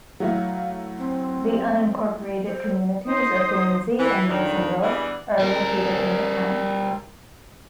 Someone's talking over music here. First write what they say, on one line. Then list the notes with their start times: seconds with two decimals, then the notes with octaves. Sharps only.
The unincorporated communities of Lindsey and Nasonville are located in the town.
0.20 F#3 A3 E4 F5
0.98 C4
2.46 C5
3.05 D#4 C5 D#6
4.00 E3
4.28 F2 D#3 D4
4.82 E3 G3 B3 D4 E4 G#4
5.40 G3 A#4